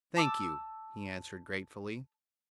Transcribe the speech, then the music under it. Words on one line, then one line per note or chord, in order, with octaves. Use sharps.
"Thank you," he answered gratefully.
A5 D6 E6